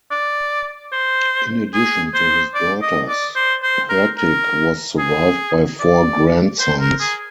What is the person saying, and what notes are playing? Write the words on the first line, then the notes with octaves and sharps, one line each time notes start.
In addition to his daughters, Hurtig was survived by four grandsons.
D5
C5
G#4
C5
D5
D#5
D5
C5
C5
A#4
A#4
G#4
D5
C5
A#4
G#4